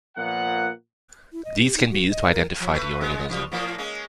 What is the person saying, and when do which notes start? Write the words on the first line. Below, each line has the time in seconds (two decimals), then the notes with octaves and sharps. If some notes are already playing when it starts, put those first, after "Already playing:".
These can be used to identify the organism.
0.17 A#2 F3 A#3 B3 F#5
1.33 E4
1.45 D#5
1.60 G4
1.76 D#4
1.91 F#4
2.11 D#5
2.32 A#4
2.60 F3
2.74 A3 B4
3.01 C#3 G#3 B3
3.29 F#2 F3 G3
3.52 A2 F3 A#3
3.78 G#3 A#3 C#4